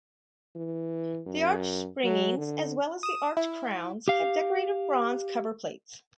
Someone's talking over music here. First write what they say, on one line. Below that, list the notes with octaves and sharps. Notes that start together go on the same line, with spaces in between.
The arch springings, as well as the arch crowns, have decorative bronze cover plates.
E3
F#2
F#3
D3
D#6 E7
E4
G4 F5